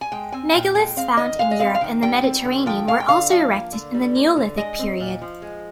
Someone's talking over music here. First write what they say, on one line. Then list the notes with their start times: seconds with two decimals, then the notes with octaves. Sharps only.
Megaliths found in Europe and the Mediterranean were also erected in the Neolithic period.
0.01 G#5
0.12 G#3 G5
0.32 C4 G#5
0.54 A#2 G5
0.75 G#3 G5
0.96 C4 F5
1.17 D#3 D#5
1.39 G#3 F5
1.51 D#5
1.60 C4 F5
1.75 F5
1.81 D#3 G5
2.03 G3 G5
2.24 C4
2.45 D3
2.66 F3 G5
2.87 G#3 F5
3.00 G5
3.08 D3 F5
3.30 F3 F5
3.51 A#3
3.72 D3
3.94 G3
4.16 A#3
4.37 D3
4.57 G#3 D#5
4.79 C4
5.00 A#2
5.22 F3
5.42 G#3